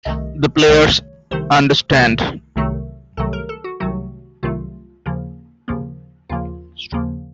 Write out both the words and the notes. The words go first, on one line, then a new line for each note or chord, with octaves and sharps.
The players understand.
C2 C3 D#3 A3 D#5
C2 C3 D#3 A3 C#5
C2 C3 D#3 A3 C5
C2 C3 D#3 A3
C2 C3 D#3 F#3 A3
C2 C3 D#3 F#3 A3 A4
A#4
A4
F#4
C2 C3 D#3 F#3 A3 F#4
C2 C3 D#3 F#3 A3 F4
D#2 C#3 F3 A#3
D#2 C#3 F3 A#3
D#2 C#3 F3 A#3 F4
D#2 C#3 F3 A#3